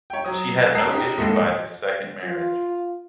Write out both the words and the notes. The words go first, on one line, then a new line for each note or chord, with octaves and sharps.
She had no issue by this second marriage.
C#5 G5
F#3 D#6
F#6
F#5 A5 A#5 D#6 E6 C7
C#4 D#4 G4 G#4
D#2 A2 G#3 A#3 A4 D#5
F4